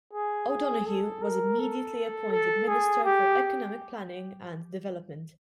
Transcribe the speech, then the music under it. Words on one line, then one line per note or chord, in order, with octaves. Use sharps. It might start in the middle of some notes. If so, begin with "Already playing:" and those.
O'Donoghue was immediately appointed Minister for Economic Planning and Development.
G#4
G#4
A4
A#4
A4
A4
G#4
G4